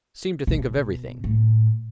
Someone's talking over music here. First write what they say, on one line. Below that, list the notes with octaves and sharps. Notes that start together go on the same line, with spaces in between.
Seemed to think of everything.
B2
A2